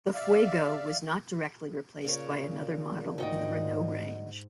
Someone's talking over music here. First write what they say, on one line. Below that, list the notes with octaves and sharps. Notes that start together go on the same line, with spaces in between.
The Fuego was not directly replaced by another model in the Renault range.
D5 E5 F5
A#2 C#3 A#4 C#5
D2 G#2 D#4 F#4 D#5 G5